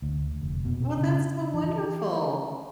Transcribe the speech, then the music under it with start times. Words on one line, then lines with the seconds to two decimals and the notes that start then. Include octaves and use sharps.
Well, that's so wonderful.
0.02 D2
0.41 F1
0.65 B2
0.97 C#3
1.54 E3